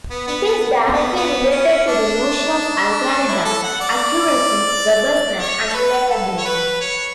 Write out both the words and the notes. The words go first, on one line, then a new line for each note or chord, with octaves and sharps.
It is directly related to the notion of algorithm accuracy, robustness, and reliability.
B3
B3
B3
B3
B3
C#4
D4
E4
A4
F#5
D5
C#5
A4
B4
A4
C#5
B4
C#5